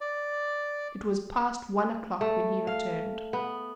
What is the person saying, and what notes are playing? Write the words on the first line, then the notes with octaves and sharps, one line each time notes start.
It was past one o'clock when he returned.
D5
A3
F5
B3